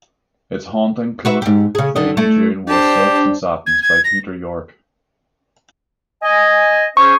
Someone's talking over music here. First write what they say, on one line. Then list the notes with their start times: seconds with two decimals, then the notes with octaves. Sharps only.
Its haunting closing theme tune was "Silks and Satins" by Peter Yorke.
1.25 F#4 B4 E5
1.42 G#2 G4
1.75 C#3 G#4
1.96 D3 D#3 D#5
2.17 A3 E4
2.68 D4 G4 C5 A5
3.66 G#6
3.82 G#6
4.04 A#6
6.22 D#5 G#5
6.97 C#4 G#4 C5 C#6